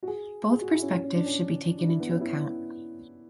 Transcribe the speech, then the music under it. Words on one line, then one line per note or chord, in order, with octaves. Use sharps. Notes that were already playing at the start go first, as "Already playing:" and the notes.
Both perspectives should be taken into account.
F#4
G#4
G#4
F#4
E4
C#4
C#4
C#4
D4
C#4
D4
E4
B3
C#4
E4